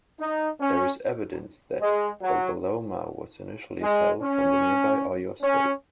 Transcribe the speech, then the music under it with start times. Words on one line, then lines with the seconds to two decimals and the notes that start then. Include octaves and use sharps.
There is evidence that Babaloma was initially settled from the nearby Oyo State.
0.20 D#4
0.61 C#4
1.81 G#3
2.22 F#3
3.82 G#3
4.22 C#4
5.42 C#4